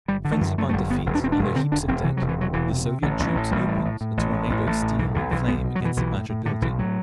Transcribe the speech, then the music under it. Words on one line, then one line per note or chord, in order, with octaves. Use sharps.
Frenzied by defeat and their heaps of dead, the Soviet troops opened a tornado of steel and flame against the battered building.
G1 G3
D3
A3
F#2
F#2 A3
A3
G1 G3
G1 B3
E1
D4
E1 C4
D4
E1
D3 C4
E1 D4
E1 C4
C3 E3
F#3
E1
E3
C3 F#3
E1 E3
C3
C3
A1 D3
A1
E3
A1
A1 G3
A2
A2
A2
A1
A2
A1
A1
A2
B1 E3
B1 D3
B1 E3
B1 B3
B2
F#3
B2 E3
B1 E3
A2
A2
A2 D3
B1 E3
A2 F#3